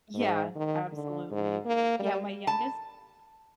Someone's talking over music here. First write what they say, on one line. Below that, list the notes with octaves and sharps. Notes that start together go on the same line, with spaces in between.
Yeah, absolutely. Yeah, my youngest
G#2
D#3
D3
G#2
A#3
G3
A5